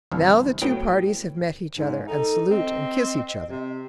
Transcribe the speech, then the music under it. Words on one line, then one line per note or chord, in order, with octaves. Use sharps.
Now the two parties have met each other, and salute and kiss each other.
G1 C2 F3
A2 F#3 B3 G5
G#2 D#4
D#4 A4
C4 D#5
C3